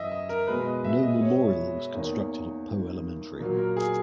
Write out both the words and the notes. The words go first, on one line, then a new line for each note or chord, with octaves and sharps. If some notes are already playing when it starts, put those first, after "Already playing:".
No memorial was constructed at Poe Elementary.
Already playing: F#2 E3 D#5 E5
D#5
A#4
B2 G#3 B3 B4
D#5
E5
D#5
C#5
E2 D#3 A#3
A#2 F#3 A#3
A#4
G#4